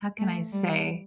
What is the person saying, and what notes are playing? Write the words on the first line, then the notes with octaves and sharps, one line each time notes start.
how can I say?-
A3
G3